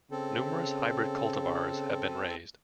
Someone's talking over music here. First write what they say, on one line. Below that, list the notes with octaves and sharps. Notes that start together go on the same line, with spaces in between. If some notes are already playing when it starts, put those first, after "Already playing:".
Numerous hybrid cultivars have been raised.
C#3 C4 A4